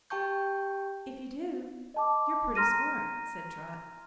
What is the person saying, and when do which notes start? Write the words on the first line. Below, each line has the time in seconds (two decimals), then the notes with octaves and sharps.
"If you do you're pretty smart," said Trot.
0.10 G4 G5 A5 C#6 G6
1.94 D#5 A5 D6
2.55 A#5 C6 F6 A#6 D#7